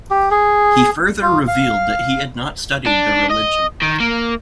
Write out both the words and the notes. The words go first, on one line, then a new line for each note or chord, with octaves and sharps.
He further revealed that he had not studied the religion.
G4
G#4
F4
F5
D4
D#5
D#3
A#3